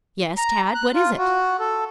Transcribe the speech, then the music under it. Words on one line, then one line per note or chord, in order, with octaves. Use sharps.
"Yes, Tad; what is it?"
A#5
F#6
F4
F#4
A4